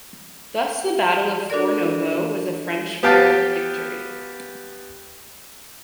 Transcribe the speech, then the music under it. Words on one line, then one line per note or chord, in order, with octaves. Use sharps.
Thus, the battle of Fornovo was a French pyrrhic victory.
D4 F#4 A4 A#4 D5
B3 G4 F5 G5 A5